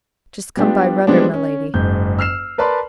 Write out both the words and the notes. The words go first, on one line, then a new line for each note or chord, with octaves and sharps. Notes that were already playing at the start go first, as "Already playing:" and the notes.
"Just come by runner, my lady."
G3 B3 D4 F4 G4
F3 G3 G#3 B3 C4 D4
C#4
F#1 G#2 G6
E6 F6 C7 E7
A#4 B4 D5 A5 B5 C6